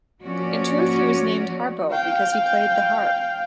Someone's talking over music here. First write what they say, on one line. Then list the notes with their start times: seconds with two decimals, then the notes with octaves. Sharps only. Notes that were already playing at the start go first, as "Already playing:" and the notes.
In truth he was named Harpo because he played the harp.
0.22 F3 A#3 C#4 F#4 C#5 D5
1.91 F5 G5